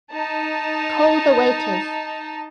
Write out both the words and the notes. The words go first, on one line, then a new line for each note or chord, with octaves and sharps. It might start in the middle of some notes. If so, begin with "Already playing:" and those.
Call the waiters!
D#4 A5